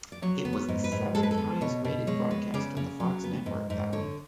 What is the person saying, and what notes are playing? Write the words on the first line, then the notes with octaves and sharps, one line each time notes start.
It was the seventh highest-rated broadcast on the Fox network that week.
D5
F#3 C#5
B3
C#5
G#2
B4
G#2
G#3 A4
B4
A4
B3
B2 C#5
B2
G#3 C#5
B3
C#3 D5
C#3
F#3
B3
G#2
G#2
D3 C#5